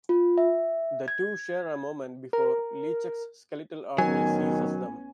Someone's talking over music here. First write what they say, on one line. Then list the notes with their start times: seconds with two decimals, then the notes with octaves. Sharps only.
The two share a moment before LeChuck's skeletal army seizes them.
0.09 F4
0.38 E5
1.08 G#6
2.33 A#4
3.98 A1 D#3 F#3 B3 C#4 G#5